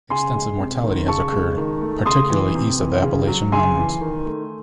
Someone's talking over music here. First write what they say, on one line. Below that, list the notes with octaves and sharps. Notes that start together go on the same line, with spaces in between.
Extensive mortality has occurred, particularly east of the Appalachian Mountains.
C#3 G#5 C6
G#3
C3
D#3
C#3 A5 C#6
G#3
D#3
A3
C#3 C6 D#6
E3
C3
E3
C#3
F#3
C#3 G#5 C6
E3
D#3
A3